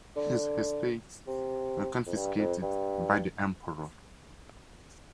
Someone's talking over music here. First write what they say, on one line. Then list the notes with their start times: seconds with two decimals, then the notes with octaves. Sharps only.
His estates were confiscated by the Emperor.
0.16 D3
1.27 C3
2.06 F2
2.17 G2
2.39 F2
2.62 G2